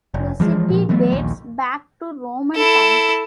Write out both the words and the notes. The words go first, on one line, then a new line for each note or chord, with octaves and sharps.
The city dates back to Roman times.
F1
E3 F3 G#3
A#2 F3
E3 F#3 A3 B3
A#1 D#2
E4 A4